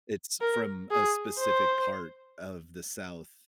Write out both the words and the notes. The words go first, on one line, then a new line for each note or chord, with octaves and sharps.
It's from a specific part of the South
A#4
G#4
C5